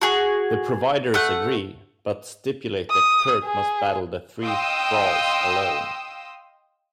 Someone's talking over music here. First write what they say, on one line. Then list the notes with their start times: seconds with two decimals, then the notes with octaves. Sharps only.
The Providers agree, but stipulate that Kirk must battle the three Thralls alone.
0.02 F#4 G#4
1.14 A3 F#5
2.90 D#6
3.45 G#4
4.41 D#5 F5 G5 C6 D#6 E6